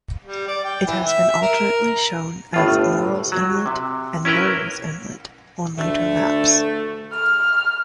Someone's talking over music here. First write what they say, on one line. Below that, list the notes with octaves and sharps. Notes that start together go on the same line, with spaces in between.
It has been alternately shown as "Morrall's Inlet" and "Murrays Inlet" on later maps.
G3
D5
G5
E3
E5
E5
A#4
G1 A2 F4
F#3
C3
C#4 E4 A#4 B4 G5
D2 A3
F6